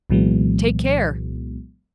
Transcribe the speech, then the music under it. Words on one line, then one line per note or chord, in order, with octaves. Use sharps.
Take care!
C2 A#2 E3 F#3 G#3 B3